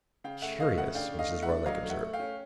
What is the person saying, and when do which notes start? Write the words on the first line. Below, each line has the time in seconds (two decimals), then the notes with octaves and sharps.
"Curious!" Mrs. Roylake observed.
0.24 C#3 F5 G5
0.42 A3 E5 F#5
0.60 A3 D#5 F5
0.77 C#3 E5 F#5
0.95 D4 F5 G5
1.13 A3
1.19 D#5 F5
1.31 A3
1.42 E5 F#5
1.49 D4
1.66 F#3 D#5 F5
1.84 A3
1.90 E5 F#5
2.01 A3
2.13 F5 G5
2.19 C#4